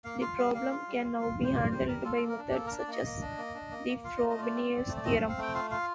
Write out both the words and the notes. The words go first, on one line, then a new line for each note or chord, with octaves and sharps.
The problem can now be handled by methods such as the Frobenius theorem.
A#3 F5
F4 F5
G3 F5
A#3 F5
F4
G3
F4
F4
G3
C5
F4 D5
G3 C5
G3 A#4
F4 A4
A#3 A4
A#4
D4
G4
A#3 A4
D4 A#4
D5
A#3 D#5
A#3
D4
A#3
D4
A#3
A#3
F4 F5
D#5
A3
D#5
F4 D5
C4
C4
A3
D5
C4 D#5
F5
C4
F5
A3 G5
F4 F5
F4 F5